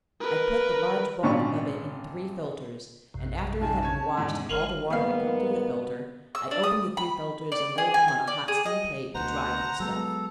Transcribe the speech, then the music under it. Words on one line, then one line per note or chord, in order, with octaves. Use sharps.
I put the large bulk of it in three filters, and after it had been washed and all the water had come through the filter, I opened the three filters and laid them on a hot steam plate to dry with the stuff.
A#4 B4
G#1 A#2 C#4 D4 D5 C#6
A#1 F#2 C3
D#1 D#3 G#5 A5
C#4 G#6
E2 G#2 D3
G1 G#3 A#4 C#5 F7 F#7
G#2 G3 A#3 B3 F5
E6
D4
D#6
B5
D5
G#4
G#5
G#5
D5
G#4
D#5
D2 B2 C5 F#5 A#5
F#3 G#3 B3 A4